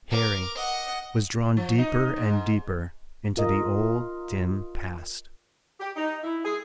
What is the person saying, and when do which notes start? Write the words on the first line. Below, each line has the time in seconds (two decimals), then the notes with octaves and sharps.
Harry was drawn deeper and deeper into the old dim past.
0.11 A#4 D6
0.56 D#5 F#5
1.57 F3
1.78 D#4
2.16 G#2
3.37 F4 A#4 D#5
5.80 G4
5.96 D#4
6.24 E4
6.44 G#4